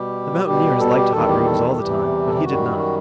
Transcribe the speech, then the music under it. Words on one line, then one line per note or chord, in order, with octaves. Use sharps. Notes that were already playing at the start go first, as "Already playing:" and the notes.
The mountaineers liked hot rooms all the time, but he did not.
Already playing: B2 G3 G4
B2 G3 G4
A4
G4
E2 D#3 G3 A4
G4
A4
A4
E2 C3 E3 G3 G4
A4
G4
F#2 D#3 G3 F#4
F#4